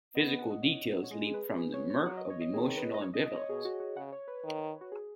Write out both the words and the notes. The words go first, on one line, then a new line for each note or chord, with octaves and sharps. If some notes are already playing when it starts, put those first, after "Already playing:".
Physical details leap from the murk of emotional ambivalence.
B3 D#5
D#5
F#5
D#5
C#5
C#5
G#3 D#5
G#4
B4
G#4
C#5
C#5
F#3 F#5
D#5
C#5
D#5
D#3 G#4
B4
D#5
C#5
D#5
D#5
C#5
B2 G#4
F#4
F#4
C#3 F#5
C#5
B4
D#3
F#4
G#4